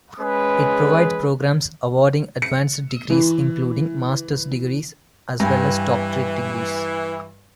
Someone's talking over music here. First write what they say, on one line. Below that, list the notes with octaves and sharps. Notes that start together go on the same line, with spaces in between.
It provides programs awarding advanced degrees including master's degrees as well as doctorate degrees.
G#3 C#4 G#4 B4
C#7
E3
G2 E3 G#5